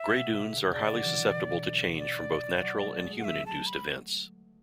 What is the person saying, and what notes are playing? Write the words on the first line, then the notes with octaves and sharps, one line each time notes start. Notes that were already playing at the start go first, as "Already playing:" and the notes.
Grey dunes are highly susceptible to change from both natural and human-induced events.
Already playing: E5
B2
C#3
D3
C#3
B2 D5
F#3
E3
D3
D5
F#3
A3
G#3
F#5
A3 E5
A5
B5